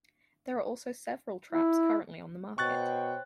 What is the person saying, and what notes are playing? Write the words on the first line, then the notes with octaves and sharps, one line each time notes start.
There are also several traps currently on the market.
E4
B2 C5 C#5 G5 C#6 F#6 A6